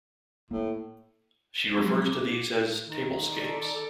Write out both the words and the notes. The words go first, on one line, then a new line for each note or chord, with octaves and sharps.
She refers to these as "tablescapes".
A2 A#3
B6 E7
F3 F#3 G#3 C4 F4
D6
E4
D#3
A4 D5